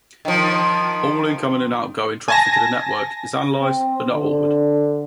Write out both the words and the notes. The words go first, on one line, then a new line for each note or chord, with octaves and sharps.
All incoming and outgoing traffic of the network is analyzed, but not altered.
D#3 F3
G#5 A5 A#6
C4
D3